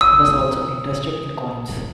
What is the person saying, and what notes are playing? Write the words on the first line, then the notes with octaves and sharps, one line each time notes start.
He was also interested in coins.
D#6 E6